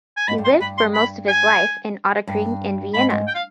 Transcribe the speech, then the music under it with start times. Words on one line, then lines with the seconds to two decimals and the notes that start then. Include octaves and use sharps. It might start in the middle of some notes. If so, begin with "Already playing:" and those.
He lived for most of his life in Ottakring in Vienna.
0.17 G#5
0.28 G#2 B5
0.38 G2
0.45 C6
0.49 F2
0.60 G2 B5
0.78 C6
0.94 B5
1.28 G#5
2.27 G2
2.94 G#2 B5
3.10 G#2
3.27 G5
3.35 F5